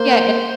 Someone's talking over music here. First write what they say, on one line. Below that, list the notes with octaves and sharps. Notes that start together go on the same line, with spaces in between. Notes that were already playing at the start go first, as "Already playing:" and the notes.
yeah an
Already playing: A#3 C5